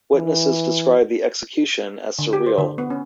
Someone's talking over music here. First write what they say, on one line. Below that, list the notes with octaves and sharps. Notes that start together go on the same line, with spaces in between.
Witnesses described the execution as surreal.
E3
D3
G4
C5
D3
B3
C#4